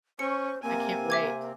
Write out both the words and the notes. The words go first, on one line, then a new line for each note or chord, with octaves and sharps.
I can't wait,
C#4 C5 C#6 C#7
C3 A#3 C4 G#5
E5 D6 G#6